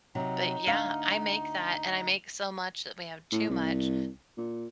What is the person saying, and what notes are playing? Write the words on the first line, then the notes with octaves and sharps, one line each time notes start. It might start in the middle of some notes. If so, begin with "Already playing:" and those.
But, yeah, I make that, and I make so much that we have too much.
C3 F#3 D#4
D2 F5
A2
C2
A#2